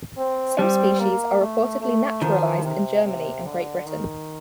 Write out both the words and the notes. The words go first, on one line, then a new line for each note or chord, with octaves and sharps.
Some species are reportedly naturalised in Germany and Great Britain.
C4
G3 C4
A#3
A3
A3
D#3 F3
C3
C3
D3
D#3